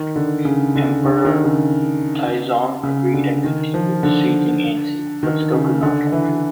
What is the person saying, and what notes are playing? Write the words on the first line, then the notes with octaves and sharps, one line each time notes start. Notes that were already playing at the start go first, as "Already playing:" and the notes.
Emperor Taizong agreed and continued sieging Ansi, but still could not capture it.
Already playing: D#3
D3
C#3
D3
D3
D#3
C#3
C#3
D3
D#3
F3
D3
D#3
C#3
D3
E3